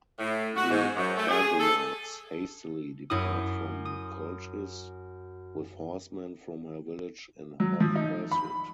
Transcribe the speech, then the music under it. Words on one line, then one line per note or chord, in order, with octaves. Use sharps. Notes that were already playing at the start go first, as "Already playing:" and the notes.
The Argonauts hastily depart from Colchis, with horsemen from her village in hot pursuit.
A2
F#4
G#2
F#2
A3
G#4
A4
F#2 E4 D#6
D#6
F#3
F3
D#4
B5